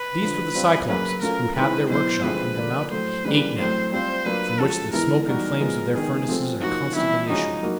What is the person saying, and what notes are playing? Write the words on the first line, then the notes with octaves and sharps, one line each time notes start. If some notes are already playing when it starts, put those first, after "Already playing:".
These were the Cyclopes, who have their workshop under Mount Aetna, from which the smoke and flames of their furnaces are constantly issuing.
Already playing: B4
D3 F3 A3
G3 C4 F4
C#3 F#3 A#3 C#4 B4
F#3 A3 C#4 F4 A#4
D#3 G#3 C4 E4 B4
B2 F#3 B3 E4 C5
D3 F3 G#3 C4 B4
D3 F3 A#3 D4
A2 F#3 A3 C5
C#3 E3 G3 A#3 B4
A2 F#3 A3 C4 C5
G3 C4 F4 C5
F#3 A#3 D4 F4 B4
F3 G#3 C#4 F#4 A4
E3 G#3 B3 E4 A#4
E3 G3 B3 D#4 F#4 A#4
F3 G#3 B3
D#3 G#3 B3 G#4
C3 F3 A3 C4
F3 A#3 D#4 F#4
C3 E3 G3 E4
C#3 F3 G#3 C#4 D#4 F#4
F#3 A#3 D#4 F#4